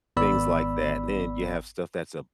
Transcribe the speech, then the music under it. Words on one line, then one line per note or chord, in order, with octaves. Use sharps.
things like that. Then you have stuff that’s, uh
G#1 B3 D5 B5 E6